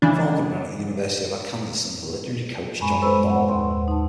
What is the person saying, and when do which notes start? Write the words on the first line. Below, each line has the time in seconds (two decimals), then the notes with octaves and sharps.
Falcon ran at the University of Arkansas under legendary coach John McDonnell.
0.02 C#3 E3 D4
2.80 F#2 A2 G#3 G#5 B5 C#6
3.02 A4 B4 C5 B5 C#6 E6
3.30 F#5
3.48 D#2 C6
3.88 D#4 A5